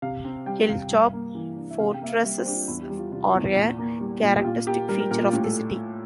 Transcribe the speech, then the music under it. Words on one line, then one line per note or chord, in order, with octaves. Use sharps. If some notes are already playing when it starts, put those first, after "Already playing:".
Hilltop fortresses are a characteristic feature of the city.
C3 F5
C4
G3 G5
C3 F5
G2
A#3
E3
D4
E5
C3 F5
G5
A#3 E5
F5
G3 E5
C5
D4 G4
F4
E2 E4
G4
G3
F4
C3 F4
E2
A#2
A#3
G3
A#2
G4
A#2 F4
A#3 G4
G3 A#4
A#4
A#2 A#4
F4
A2 G4
A4